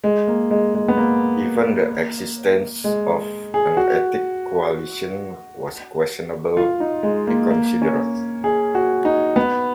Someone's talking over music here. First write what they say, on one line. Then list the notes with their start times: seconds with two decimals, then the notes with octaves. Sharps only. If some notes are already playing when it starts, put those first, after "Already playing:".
Even the existence of an ethnic coalition was questionable, he considered.
0.04 G#3
0.28 A#3
0.51 G#3
0.75 G#3
0.88 B3
0.98 A#3
2.84 G#3
3.54 G#4
3.77 F#4
6.57 F4
6.80 D#4
7.03 G#3
7.27 A#3
7.51 A#3
7.82 C#4
8.44 G#4
8.75 F#4
9.05 D#4
9.36 B3